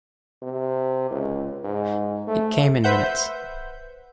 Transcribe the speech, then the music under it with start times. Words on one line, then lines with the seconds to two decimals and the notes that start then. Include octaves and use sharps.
'It came in minutes.
0.42 C3
1.10 C#2
1.63 G#2
2.27 A3
2.84 B4 C5 E5 F#5 G6